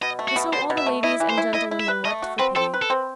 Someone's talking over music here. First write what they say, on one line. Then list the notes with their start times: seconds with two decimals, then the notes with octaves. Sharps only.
And so all the ladies and gentlewomen wept for pity.
0.02 B2 D#5
0.19 A3
0.28 F#4
0.36 B2
0.53 B2 C5
0.70 B2
0.78 E5
0.87 A3
1.04 E4 D#5
1.20 E3
1.30 C5
1.38 E4
1.54 E4 D#5
1.71 E4
1.80 E5
1.88 B4
2.05 A3 D#5
2.22 F#4
2.39 C4 B4
2.56 C4 A4
2.74 B4
2.82 A4
2.90 C4